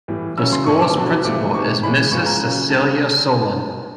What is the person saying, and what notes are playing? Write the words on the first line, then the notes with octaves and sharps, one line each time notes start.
The School's Principal is Mrs Cecilia Solan.
A2 E3 G3 B3
C#3 F#3 A3 C#4 E6
C6
A#2 F3 A3 C#4 C#6
D6
B2 F#3 B3 D4
C3 F3 A3 D6
C3 D#3 G#3 C4 C#6
E3 G#3 C#4 B5
A#2 F3 G#3 B3 C#6
A#5
C#3 F#3 A#3 C#4
C3 D#3 G3 A#3 D4 A5